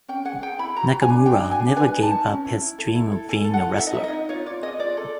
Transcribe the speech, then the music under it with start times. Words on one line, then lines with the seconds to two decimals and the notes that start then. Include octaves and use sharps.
Nakamura never gave up his dream of being a wrestler.
0.08 C#4 G5
0.25 G#4 F#5
0.42 G#4 G5
0.58 E4 B5
0.76 F#4 A#5
0.92 F#4
1.02 G#5
1.09 D4
1.26 D4 G5
1.43 F#4
1.51 G#5
1.60 D4
1.76 B4 G#5
1.94 D#4
2.02 A5
2.10 D#4
2.27 C#4
2.45 E4
2.61 E4
2.78 A4
2.95 E4
3.12 A4
3.29 A4 G#5
3.45 A4
3.54 F#5
3.62 F4
3.78 D#4 E5
3.87 D#5
3.94 D#4 E5
4.04 D#5
4.13 D#4
4.29 F4 C#5
4.46 F4 D5
4.62 G#4 D#5
4.79 F4 D5
4.97 A4